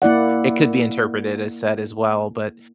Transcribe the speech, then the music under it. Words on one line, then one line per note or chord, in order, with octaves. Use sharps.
it could be interpreted as set as well. But,
A#3 E4 D5 F#5